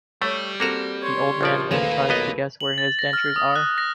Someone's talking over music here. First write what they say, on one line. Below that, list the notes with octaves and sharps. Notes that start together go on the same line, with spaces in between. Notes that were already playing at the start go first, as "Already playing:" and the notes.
The old man then tries to guess where his dentures are.
G3 A3 C#5
A#3 C4 F#4 A4 A#5 E7
C#5 C6
A#1 F3 D5
D#2 A3 A#3 F4 B4 E7
B1 B3 D#5
F#7
A6
A#6
F6
D#6
F#6
A#6